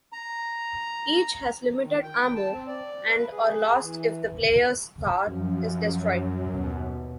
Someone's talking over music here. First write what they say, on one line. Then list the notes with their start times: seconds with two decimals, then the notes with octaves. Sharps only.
Each has limited ammo and are lost if the player's car is destroyed.
0.12 A#5
1.82 D#3
2.03 G5
2.35 A5
2.52 C4
2.67 D5
3.07 B4
3.32 G#4
3.81 E3
5.26 F#2 F3
6.52 D#2 B2